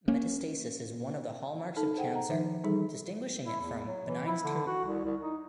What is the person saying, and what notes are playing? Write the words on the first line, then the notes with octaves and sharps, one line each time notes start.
Metastasis is one of the hallmarks of cancer, distinguishing it from benign tumors.
A#3 C#4
D#4 A4 A5
G#4 C5 F#5 G5
F#5 A#5
D#3 F3 D#4 E5
E3 G3 D#4 G#4 A4
E4
E2
F#3
E3
E4
D3
F#4
C2
C2
D#4